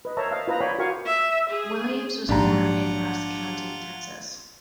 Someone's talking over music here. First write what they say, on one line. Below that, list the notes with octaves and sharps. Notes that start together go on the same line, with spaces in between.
Williams was born in Rusk County, Texas.
B4 D#5
A#4 C5 C#5 E5 A5 A#5
D#5 F5 A5
F4 B4 C5 A#5
C#5 D5 G5 G#5 A#5 B5
F4 F#4 A#4 F5 G#5 C#6
E5
G#4
A#1 G#2 D4 F4 G4 F#5 A#5